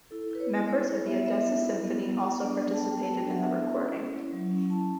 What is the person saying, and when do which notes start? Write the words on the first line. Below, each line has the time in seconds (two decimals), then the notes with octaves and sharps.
Members of the Odessa Symphony also participated in the recording.
0.11 E4 A4
0.31 E4 B4
0.40 C#5
0.50 B3
0.68 E4 C#5
0.88 E4 C#5
1.07 B3 E5
1.26 B3 E5
1.45 E4
1.64 E4
1.84 B3
2.02 B3
2.21 B3
2.41 D4 D5
2.59 B3
2.74 A5
2.79 B3 G5
2.98 B3 A5
3.17 D4 G5
3.28 F#5
3.36 B3 E5
3.55 E4
3.74 C#4
3.93 C#4
4.13 E4
4.32 F#3
4.51 C#4
4.70 E4 A5